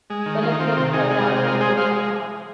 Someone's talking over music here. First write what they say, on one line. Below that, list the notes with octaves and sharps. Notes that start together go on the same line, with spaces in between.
Olympic played out of Toyota Park.
G#3
D#3
D#3 F4
D#4
D#3 C4 F4
C3
C3 D#4 G#4
G#3
F5
C3 D#5
C5
G#3 F4 A#4
G#3 G#4 C5
G#3 C5 F5